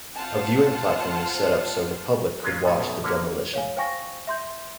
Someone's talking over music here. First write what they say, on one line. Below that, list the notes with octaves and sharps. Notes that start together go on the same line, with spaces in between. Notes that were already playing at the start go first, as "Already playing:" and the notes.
A viewing platform was set up so the public could watch the demolition.
C4 F4 C5 F#5 A5
F#3 G#3 C#4 F4
A2 A4
B1 F#2 B2
D3 A#3 E4 F#5
C#5 F5 G#5
C5 F5 G5 G#5 C#6 A#6
E5 C6 G6